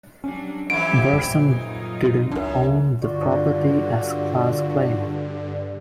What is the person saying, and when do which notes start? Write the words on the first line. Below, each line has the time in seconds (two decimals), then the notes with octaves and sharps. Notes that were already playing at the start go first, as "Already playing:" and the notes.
Bursum didn't own the property as Klass claimed.
0.24 F#3 G3 C#4 D4
0.70 F2 E3 G4 E5 D7
1.13 F#2 A#2 G3
1.52 F#3 D#4 F4
2.32 C#2 F#2 A2 C#4 D4
3.02 G2 D3 F4 F#4 D5